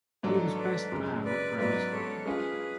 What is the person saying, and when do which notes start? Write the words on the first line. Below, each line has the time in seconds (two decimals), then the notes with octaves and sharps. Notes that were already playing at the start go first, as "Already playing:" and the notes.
He was best man at Bremner's wedding.
0.23 G#2 F#3 A3 D4 A4 C#5
0.57 B4 D5
0.92 F#2 C#3 G#3
1.24 B4 D5
1.58 G#2 F#3 B3 B4 D5
1.92 A4 C#5
2.26 G#3 C#4 F4 G#4 B4